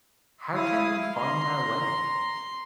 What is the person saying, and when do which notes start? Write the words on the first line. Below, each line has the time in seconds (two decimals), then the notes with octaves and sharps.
How can we find our way?
0.55 E4 F5 D#6
1.15 A#5 C6